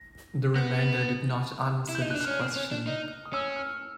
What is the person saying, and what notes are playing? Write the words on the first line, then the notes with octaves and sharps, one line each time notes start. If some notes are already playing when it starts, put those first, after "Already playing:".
The remainder did not answer this question.
Already playing: A#6
B3 A#6
A6
A6
E4
G6
D#4
F#6
D4
F#6
C#4 F6
C4
C#4
D4
D#4
D#6
C#4 E6
F6